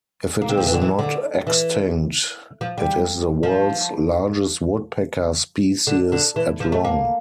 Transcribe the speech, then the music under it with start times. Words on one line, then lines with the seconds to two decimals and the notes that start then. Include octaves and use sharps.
If it is not extinct, it is the world's largest woodpecker species, at long.
0.42 A#3
0.49 C4
0.57 F3
0.66 E3
0.74 D3
0.82 E3
0.99 D3
1.47 E3
2.61 F3
2.78 G3
3.43 F3
5.87 D3
6.12 D3
6.36 E3
6.60 F3
6.72 A3
6.84 A#3